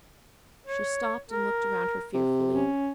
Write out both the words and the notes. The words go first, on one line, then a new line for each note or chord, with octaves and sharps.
She stopped and looked around her fearfully.
C#5
A#4
C3
C#4